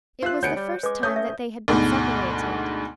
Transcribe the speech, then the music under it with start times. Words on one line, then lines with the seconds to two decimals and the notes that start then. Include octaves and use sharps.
It was the first time that they had been separated.
0.22 F4 C5 E5 F#6
0.43 D2 B3 C#5 G#5 G6 C#7 D7
0.56 G3
0.83 G#3 B4 D6
1.03 A3 C#4 C#5 D#6 G6
1.16 E5
1.68 D2 G#2 B2